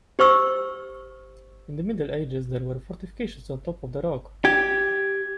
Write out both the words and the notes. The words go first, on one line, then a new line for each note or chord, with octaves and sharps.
In the Middle Ages there were fortifications on top of the rock.
G4 C5 C#6 E6
G4 G#6